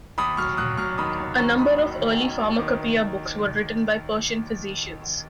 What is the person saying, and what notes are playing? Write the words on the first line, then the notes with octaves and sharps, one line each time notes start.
A number of early pharmacopoeia books were written by Persian physicians.
D#2 B5 D#6
F#3 C#6 F6
F#3 D#6 F#6
F#3 C#6 F6
D#3 B5 D#6
D#2
D#2 A#5 C#6
D#3 B5 D#6
F#3
D#3
D#2
D#2
D#3